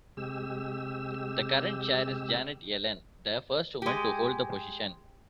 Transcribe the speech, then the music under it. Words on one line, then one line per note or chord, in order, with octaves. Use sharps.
The current chair is Janet Yellen, the first woman to hold the position.
C3 G#3 G4 E6
G#3 G4